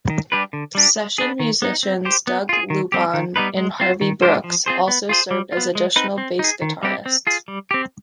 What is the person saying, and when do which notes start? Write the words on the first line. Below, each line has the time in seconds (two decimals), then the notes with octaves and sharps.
Session musicians Doug Lubahn and Harvey Brooks also served as additional bass guitarists.
0.10 D#3
0.32 G3 D4 G4 B4
0.53 D3
0.75 G3 D4 G4
0.96 G#3
1.18 B3 D4 G#4
1.40 D#3
1.62 B3 D#4
1.83 C4
2.05 G4 C5
2.27 B3
2.49 F4 G#4
2.70 D#3
2.92 G3 C4 G4
3.14 D#3
3.36 G3 B3 D#4 B4
3.57 G#3
3.80 C4 F4 C5
4.01 D#3
4.22 G#3 D4 G4 C5
4.44 F3
4.66 C4 F4 G#4 C5
4.88 B3
5.09 F4 G#4 C5
5.31 G3
5.52 B3 F4
5.75 G#3
5.96 C4 D#4 B4
6.18 C4
6.39 D#4 G#4
6.62 D#3
6.83 G3 C4 G4
7.06 C4
7.27 F4 G#4
7.48 G3
7.71 C4 G4